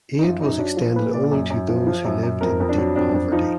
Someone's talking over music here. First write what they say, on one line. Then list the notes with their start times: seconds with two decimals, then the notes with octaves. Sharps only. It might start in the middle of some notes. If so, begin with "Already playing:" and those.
Aid was extended only to those who lived in deep poverty.
0.19 D#4
0.23 F#2 F4
0.41 F#2 D#4
0.59 F#3 D4
0.77 F3
0.96 A#2 B4
1.13 A#2 D5
1.31 F#2
1.50 F#2
1.68 F3
1.87 F3
2.05 F#2
2.23 F#2
2.41 F2 A#4
2.60 F2
2.69 D4
2.78 F#3
2.96 F2 D4
3.14 F2 D4
3.32 F3 D#4